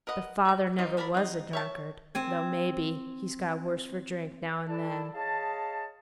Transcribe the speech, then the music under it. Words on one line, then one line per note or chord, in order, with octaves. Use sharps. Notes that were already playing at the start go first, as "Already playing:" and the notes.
But father never was a drunkard, though maybe, he's got worse for drink, now and then.
A#4 B4 D#5 F#5
F#4 A#5
C4 D#4 F4 G4
A4 A#4 D5 A5 B5
C4 D#4
C#5 E5 A5
C4 G#5
E4 A4 D5 A5
G#4 C#5 D#5 F5 A5